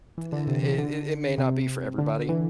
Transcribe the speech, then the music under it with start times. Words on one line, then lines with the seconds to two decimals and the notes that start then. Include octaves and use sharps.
it it it may not be for everybody.
0.18 E3
0.32 D3
0.47 C3
0.63 C3
0.78 D3
1.38 C3
1.98 D3
2.29 E3